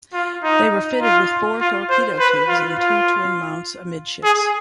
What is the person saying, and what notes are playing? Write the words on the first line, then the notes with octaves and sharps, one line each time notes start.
They were fitted with four torpedo tubes in two twin mounts amidships.
F4
D#4
F4
F4
C5
B4
F4
F4
G#4